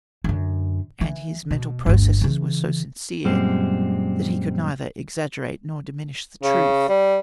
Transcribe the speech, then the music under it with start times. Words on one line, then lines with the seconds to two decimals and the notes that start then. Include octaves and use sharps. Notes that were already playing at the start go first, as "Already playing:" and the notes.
And his mental processes were so sincere that he could neither exaggerate nor diminish the truth.
0.24 F#2 D3
1.01 E3
1.51 B2
1.86 G1 D2
2.21 C#3 E3
3.25 F#2 A#2 G3 G#3 C4
6.44 C#3
6.89 G3